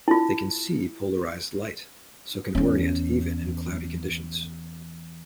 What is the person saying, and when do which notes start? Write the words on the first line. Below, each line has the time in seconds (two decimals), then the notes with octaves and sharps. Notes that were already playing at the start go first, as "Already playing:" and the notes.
They can see polarized light, so can orient even in cloudy conditions.
0.08 E4 F4
2.55 E2 C#4